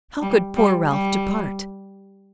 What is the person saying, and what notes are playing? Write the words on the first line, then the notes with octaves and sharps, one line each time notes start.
How could poor Ralph depart?
G3
G3
G3